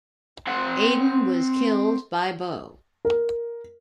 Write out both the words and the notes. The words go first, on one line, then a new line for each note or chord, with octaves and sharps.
Aiden was killed by Bo.
C4 F#5
A#4